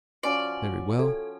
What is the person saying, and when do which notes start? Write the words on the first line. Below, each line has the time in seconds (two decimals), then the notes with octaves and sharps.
Very well.
0.23 F3 C#4 F#4 D5
0.99 A4